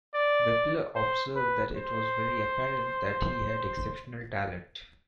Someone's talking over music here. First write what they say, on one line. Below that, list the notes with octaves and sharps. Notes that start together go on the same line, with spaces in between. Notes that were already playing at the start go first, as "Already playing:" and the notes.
Wippler observed that It was very apparent that he had exceptional talent.
D5
C5
B4
C5